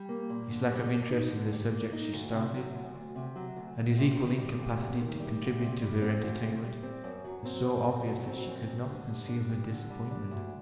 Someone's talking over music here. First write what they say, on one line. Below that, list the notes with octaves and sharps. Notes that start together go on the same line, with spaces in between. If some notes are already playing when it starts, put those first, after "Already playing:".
His lack of interest in the subjects she started, and his equal incapacity to contribute to her entertainment, were so obvious that she could not conceal her disappointment.
Already playing: G3
A#3
A#2
D3
G3
A#3
D#4
D3
G3
A#3
D#4
D2
C3
F#3
D2
D2
C3
F#3
D2
D2
C3
D#3
G3
D2
C3
D#3
G3
D2
C3
G3
C4
D2
C3
G3
C4
F#2
F#3
C4
F#2
F#2
F#3
C4
F#2
G2
D3
G3
D4
G2
D3
G3
D4
D2